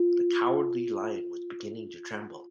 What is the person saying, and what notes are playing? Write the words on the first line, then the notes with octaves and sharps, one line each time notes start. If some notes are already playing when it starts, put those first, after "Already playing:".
The Cowardly Lion was beginning to tremble.
Already playing: F4